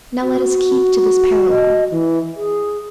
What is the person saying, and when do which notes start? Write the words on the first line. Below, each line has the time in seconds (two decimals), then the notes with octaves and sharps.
Now let us keep to this parallel.
0.24 F#4
1.48 D#5
1.91 E3
2.36 G#4